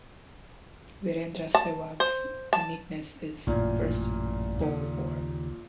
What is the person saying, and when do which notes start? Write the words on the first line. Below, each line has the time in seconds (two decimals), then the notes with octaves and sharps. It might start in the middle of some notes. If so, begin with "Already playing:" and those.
Virendra Sehwag's uniqueness is first bowl four.
1.55 A5
2.00 C5
2.53 A5
3.47 A1 F#2 A#2
4.60 D#2 C#3